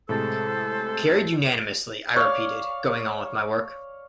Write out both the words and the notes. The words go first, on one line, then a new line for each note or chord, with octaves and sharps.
"Carried unanimously," I repeated, going on with my work.
A2 C3 G#3 A4 C5 A5 E6
C#5 D5 F5